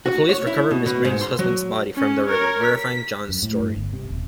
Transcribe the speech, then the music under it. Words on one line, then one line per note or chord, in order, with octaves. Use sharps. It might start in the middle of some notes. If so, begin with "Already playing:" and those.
The police recover Mrs. Green's husband's body from the river, verifying John's story.
F#4
C#5
E4
B2
B2
G#2
C6
F#3
C#4
A#4 C#5
B6
F#2
A2
G2
G1
C3
D#1